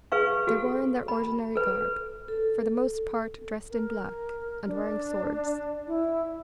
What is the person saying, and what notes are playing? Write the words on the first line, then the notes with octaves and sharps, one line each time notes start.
They were in their ordinary garb; for the most part dressed in black, and wearing swords.
G#4 B4 F5 C#6
F#4 A4
B5
A4 B4
A4
A#4
D4
E4